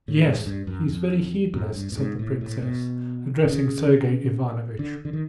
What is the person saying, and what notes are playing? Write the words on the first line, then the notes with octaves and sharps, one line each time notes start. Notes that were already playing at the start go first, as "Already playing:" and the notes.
"Yes, he's very heedless," said the princess, addressing Sergey Ivanovitch.
A2
G#2
G#2
G2
F#2
F2
F#2
G2
A2
G#2
A2
A2
B2
C3
C#3
D3
D3
D#3